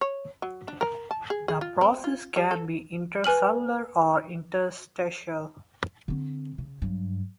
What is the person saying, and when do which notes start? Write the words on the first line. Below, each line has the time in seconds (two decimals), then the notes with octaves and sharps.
This process can be intracellular or interstitial.
0.01 C#5
0.42 F#3
0.68 D4
0.81 A#4
1.11 A5
1.30 G#4
1.48 G#4
1.61 F4
1.81 C4
2.04 F4
2.36 G3
2.51 A4
3.24 B4 G#5 F6 F#7
6.08 D3 C4
6.58 C#3
6.82 G2 F#3